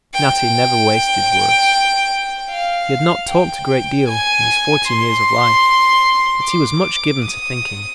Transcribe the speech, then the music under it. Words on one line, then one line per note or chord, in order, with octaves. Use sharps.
Natty never wasted words. He had not talked a great deal in his fourteen years of life, but he was much given to thinking.
G5
F5
G5
G#5
C6
D6
D#6